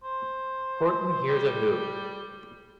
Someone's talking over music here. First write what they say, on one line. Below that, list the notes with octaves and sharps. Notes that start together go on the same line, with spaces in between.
Horton Hears a Who!
C5
G3